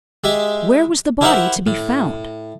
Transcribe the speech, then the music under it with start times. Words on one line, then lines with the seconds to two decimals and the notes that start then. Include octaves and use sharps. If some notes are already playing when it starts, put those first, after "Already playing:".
Where was the body to be found?
0.24 G#3 G4 E5
1.21 E4 G4 A#4 C5 E5 F#5
1.67 A2